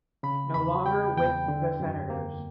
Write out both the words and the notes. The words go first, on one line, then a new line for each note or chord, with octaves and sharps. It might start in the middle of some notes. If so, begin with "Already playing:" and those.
No longer with the Senators.
C#3 B5
E2 B5
G3 G5
E2 G5
D3
F#2
A#3